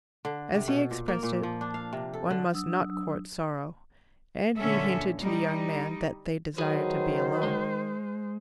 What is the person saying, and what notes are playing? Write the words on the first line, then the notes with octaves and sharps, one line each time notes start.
As he expressed it, "one must not court sorrow," and he hinted to the young man that they desired to be alone.
D3
C3
B2
A#2
A#3
A#2
F3
D4
F5
C3
A4
D3
F#3 D4 D#6 E6
A#2 D3 C#4 A4 E5
G3 D#4
D#3 F#3 G#4 B4 C5
G#3